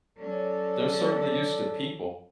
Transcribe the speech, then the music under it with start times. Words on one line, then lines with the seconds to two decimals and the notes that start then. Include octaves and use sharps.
they're certainly used to people.
0.17 F#3 C#4 A4 D5